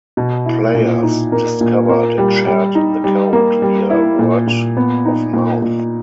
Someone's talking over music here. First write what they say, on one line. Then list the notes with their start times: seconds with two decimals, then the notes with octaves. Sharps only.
Players discovered and shared the code via word of mouth.
0.17 B2
0.46 E4
0.75 A#2
1.03 D#4
1.32 A#3
1.61 A#2
1.89 A#3
2.18 G3
2.47 G3
2.75 D#4
3.04 G3
3.33 A#3
3.62 G3
3.90 E4
4.19 A#2
4.47 A#2
4.77 B3
5.05 D#4
5.33 A#2
5.62 A#2